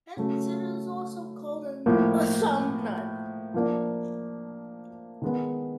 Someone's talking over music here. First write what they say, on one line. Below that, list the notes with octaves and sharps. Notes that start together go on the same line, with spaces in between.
Hence it is also called a thumb nut.
C#3 F#3 A3
A2 F3 A#3
F3 A#3 D4
D#3 G#3 B3